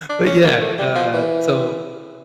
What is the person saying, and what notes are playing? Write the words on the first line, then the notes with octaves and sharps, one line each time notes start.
but yeah, uh, so,
D4
C#4
A#3
A3
G3
F3
E3